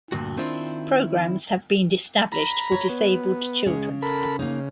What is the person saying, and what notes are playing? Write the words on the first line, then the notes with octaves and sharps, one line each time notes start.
Programs have been established for disabled children.
D2 G2 A#2 F#4
D#3 C4 D4 E4 F4
A#5 B5
C#5
B3
C#3 G#3
A4 A#4 B5
C#3 A#3 D#4